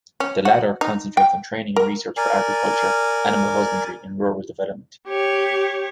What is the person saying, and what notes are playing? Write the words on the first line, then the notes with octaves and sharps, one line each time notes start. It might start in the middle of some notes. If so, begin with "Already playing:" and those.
The latter concentrates on training and research for agriculture, animal husbandry and rural development.
C#4
F#4
D#4
G5
A#4
A#4 D5 G#5
G4 C#5